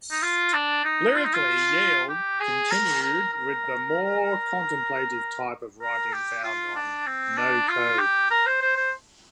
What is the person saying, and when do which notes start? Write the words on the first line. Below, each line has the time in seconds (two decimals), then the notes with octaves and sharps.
Lyrically, "Yield" continued with the more contemplative type of writing found on "No Code".
0.11 D#4
0.22 F4
0.53 D4
0.84 D#4
1.16 F4
1.24 D#4
1.33 F4
2.09 G4
2.40 G#4
2.71 A#4
3.02 A#4
3.33 A#4
5.81 A#4
6.13 G4
6.44 F4
6.75 D4
7.07 C4
7.37 D4
7.69 F4
7.99 G4
8.31 A#4
8.46 C5
8.62 C5
8.76 C5